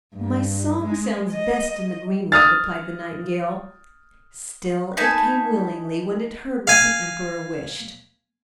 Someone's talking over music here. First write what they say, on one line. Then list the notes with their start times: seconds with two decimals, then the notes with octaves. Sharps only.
"My song sounds best in the greenwood!" replied the Nightingale; still it came willingly when it heard what the Emperor wished.
0.15 G2
0.83 G#3
1.32 D#5
2.32 D#6 F6 A6
4.97 D#4 B4 G#5 A5
6.67 F5 G#5